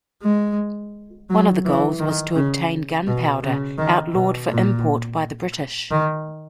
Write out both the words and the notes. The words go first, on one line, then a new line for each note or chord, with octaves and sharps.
One of the goals was to obtain gunpowder, outlawed for import by the British.
G#3
F#3
E3
D#3
C#3
B2
C#3
D#3
B2
A#2
D#3